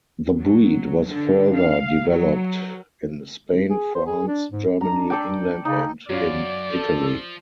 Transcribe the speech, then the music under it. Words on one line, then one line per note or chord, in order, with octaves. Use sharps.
The breed was further developed in Spain, France, Germany, England, and in Italy.
F#3
D3
F5
F#3
G#4
C5
G#4
D4
G#2
D4 A#5
A4 D5 G5
C#3 D#4
F#2 F#3 C#4 F4 D5
F3 A4